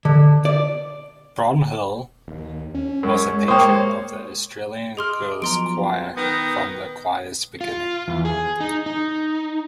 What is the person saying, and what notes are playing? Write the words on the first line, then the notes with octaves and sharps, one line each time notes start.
Bronhill was a patron of the Australian Girls Choir from the choir's beginning.
D3
D5
D#2
C#4
F#2 G#3 A#4 C#5
A#3 C5 C#5 G5 C6 D#6
G#4 D#5 C6 D6 F6
F3 F#3 B3 A#5 C6 D7
D#3 B3 G5 A#6
F4
E2
G#4
D#4
D#4